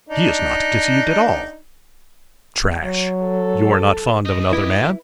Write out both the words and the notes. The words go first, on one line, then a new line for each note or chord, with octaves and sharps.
He is not deceived at all.' 'Trash--you are not fond of another man.
D4 D#4
F#3
A4
B2 D#4 D#5
G2 E4 G4 B4